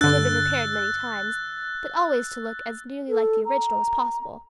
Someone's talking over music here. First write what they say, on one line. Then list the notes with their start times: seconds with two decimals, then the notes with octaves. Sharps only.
It had been repaired many times, but always to look as nearly like the original as possible.
0.01 G2 D3 E6 F#6 A6
3.09 A4
3.45 A#5